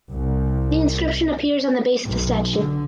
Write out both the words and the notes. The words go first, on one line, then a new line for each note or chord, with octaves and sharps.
The inscription appears on the base of the statue.
C2
B1
D3